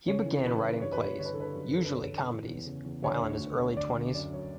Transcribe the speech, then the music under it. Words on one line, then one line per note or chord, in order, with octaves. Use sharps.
He began writing plays, usually comedies, while in his early twenties.
C#3 C#5
E3
E3 B4
E3
G2 C#5
B4
G2 C#5
D3 C#5
B4
A4
D3 B4
F#2
D3 A4
B4
D3 C#5
D3
E3
E2
C#3
E2
D3 C#5
D2
D2
D2
D3 D5
D3
F#2 D5
F#2 C#5